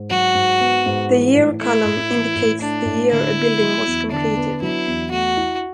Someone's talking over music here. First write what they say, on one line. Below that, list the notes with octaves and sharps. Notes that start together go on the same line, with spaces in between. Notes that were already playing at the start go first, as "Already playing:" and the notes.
The "Year" column indicates the year a building was completed.
Already playing: G#2
F#3 F#4
G#2
B3
G#2
E3
A2
A3 E4
A2
E3
A2
A3 D4
A2
D3 E4
B3
F#3
E2
D3 D4
B3
F#3 E4
E2
A3 F#4
E4